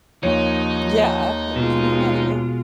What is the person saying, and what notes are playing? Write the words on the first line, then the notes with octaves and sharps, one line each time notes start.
Yeah. Give me money.
D#2 F3 D#4 C#5
B2 G#3 F4